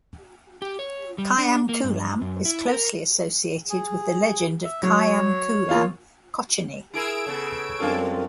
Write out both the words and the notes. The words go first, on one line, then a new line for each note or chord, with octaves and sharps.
Kayamkulam is closely associated with the legend of Kayamkulam Kochunni.
G4
C#5
G3
D4
A#3
G2
F#2
E4
A#4
G#4
E5
F#3 C#5
A#3 F4 F5
E4 G#4 A#4 E6 G#6 D7
C#3 B3 A4
F#2 G3 C4 D4 F4 A4 A#4 F5